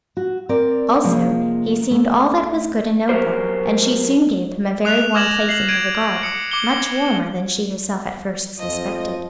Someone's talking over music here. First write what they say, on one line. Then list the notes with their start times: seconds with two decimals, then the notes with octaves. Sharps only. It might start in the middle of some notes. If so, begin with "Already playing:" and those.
Also, he seemed all that was good and noble, and she soon gave him a very warm place in her regard; much warmer than she herself at first suspected.
0.17 F#4
0.49 C4 A#4 D5
1.03 C3 F3 G#3 A#3 C#4
1.91 A3
3.09 F#3 G4 A#4 C5
4.85 D#6 F#6 F7
5.14 D6 F6 G#6 A#6 E7 F#7
5.49 C7 F#7
5.68 G#6 D7 D#7
6.23 D#6 C#7
6.51 D6 C#7 G7
8.59 F2 F3 D#5